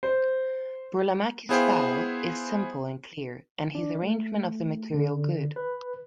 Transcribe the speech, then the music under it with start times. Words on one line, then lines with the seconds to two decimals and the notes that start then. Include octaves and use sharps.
Burlamaqui's style is simple and clear, and his arrangement of the material good.
0.03 C5
1.49 B3 E4 G#4 C5 F5 G5
3.75 D4
4.03 A3
4.94 D3
5.56 B4